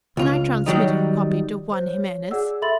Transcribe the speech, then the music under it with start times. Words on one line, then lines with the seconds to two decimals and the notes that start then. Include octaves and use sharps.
Can I transmit a copy to Juan Jimenez?
0.17 C#2 F4
0.66 D#3 F#3 G3 D#4
1.72 C5 C#5
1.88 C#5
2.31 G#4 D5 F#5 E6
2.62 A4 E5 B5 C6 A6 F#7